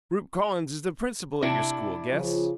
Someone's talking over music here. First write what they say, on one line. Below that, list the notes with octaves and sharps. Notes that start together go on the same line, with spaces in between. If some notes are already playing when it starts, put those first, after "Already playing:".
"Rupe Collins is the principal at your school, guess."
C3 D4 E4
C#3 F3